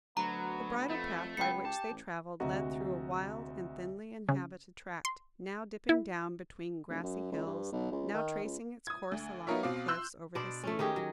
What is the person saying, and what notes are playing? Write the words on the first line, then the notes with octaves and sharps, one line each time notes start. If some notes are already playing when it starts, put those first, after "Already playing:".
The bridle-path by which they travelled led through a wild and thinly inhabited tract,--now dipping down between grassy hills, now tracing its course along the cliffs over the sea.
D2 F#3 B3 A#5
F2 A3
C#2 B3 G5 C#7
G4 A5
A1
D2 C3 G#3 F#4 D#5 A#5
C#3
C6
E4
F1
F#2
C#2
G2
B1
C#2
D#3
C#2
D#6 G#6
D2
B3 D#4 F4 A#4 C#5 E5
B2 C4 F5 D6
C6 E6 F#6 G6
B2 D4 C5 D5
A3 C#4
D#3 D#4 G4 G#4
F#3